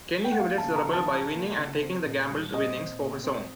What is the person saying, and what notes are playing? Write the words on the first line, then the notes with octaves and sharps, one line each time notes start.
Kenny humiliates the Rebel by winning and taking the gambled winnings for his own.
G5
F#5
A#3 F5
A5
C#3
A#5
F3
A5
C#3
A#3
C#3
C4
A#2
G3
A#2 D#5
C4
A#2
C4